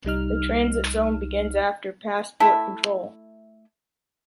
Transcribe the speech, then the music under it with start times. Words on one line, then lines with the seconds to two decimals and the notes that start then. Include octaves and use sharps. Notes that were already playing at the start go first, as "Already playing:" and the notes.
The transit zone begins after passport control.
0.05 C2 G3 D#4 F6
2.40 A3 E4 E5